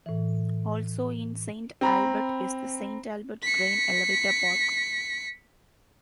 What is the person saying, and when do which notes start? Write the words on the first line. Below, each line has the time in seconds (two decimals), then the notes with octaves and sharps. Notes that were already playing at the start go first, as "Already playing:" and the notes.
Also in Saint Albert is the Saint Albert Grain Elevator Park.
0.06 A2 E3
1.81 C4 A#5 B5
3.42 B6 C#7